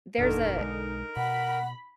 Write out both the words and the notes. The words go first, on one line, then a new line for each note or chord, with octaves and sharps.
there's a
G1 F2 A#2 D3 D#3 A#4
B1 G#3 D#4
B2 F#5 B5